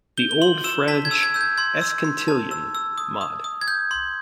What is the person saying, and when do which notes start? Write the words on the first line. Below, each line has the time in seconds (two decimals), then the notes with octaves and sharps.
The Old French "escantillon", mod.
0.18 G6 G7
0.31 G7
0.42 C6 F#7
0.64 E6 E7
0.88 A5 B6
1.05 G#6
1.11 E6
1.23 G#6
1.34 E6 G6
1.41 G#6
1.58 C6 G#6
1.81 E6
2.04 C6
2.28 A5
2.51 E6
2.75 E6
2.98 D#6
3.21 D#6
3.44 D#6
3.61 G#6
3.68 G6
3.91 C6